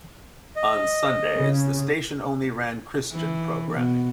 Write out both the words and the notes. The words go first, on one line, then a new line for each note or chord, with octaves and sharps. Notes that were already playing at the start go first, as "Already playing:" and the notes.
On Sundays, the station only ran Christian programming.
D#5
C#3
E3
B2